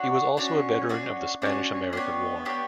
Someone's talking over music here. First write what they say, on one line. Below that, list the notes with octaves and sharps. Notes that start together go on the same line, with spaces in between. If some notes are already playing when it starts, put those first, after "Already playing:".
He was also a veteran of the Spanish-American War.
Already playing: D4 F#4 C#5
C#4 D4 F#4 C#5
D4 F#4 C#5
C#4 D4 F#4 C#5
B3 D4 G4 C#5
D4 G4 C#5